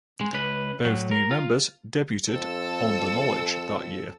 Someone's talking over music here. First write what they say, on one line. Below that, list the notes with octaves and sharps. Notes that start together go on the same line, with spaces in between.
Both new members debuted on "The Knowledge" that year.
G#3
C#2 B4
A2 F#3
A#4
F4
F2 A4 E6